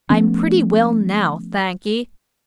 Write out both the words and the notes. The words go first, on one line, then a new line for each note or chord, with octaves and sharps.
I'm pretty well now, thank ye.
F3 A3 B3 C#4